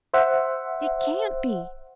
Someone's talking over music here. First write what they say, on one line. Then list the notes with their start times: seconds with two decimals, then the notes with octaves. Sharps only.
It CAN'T be.
0.14 C5 E5 F#5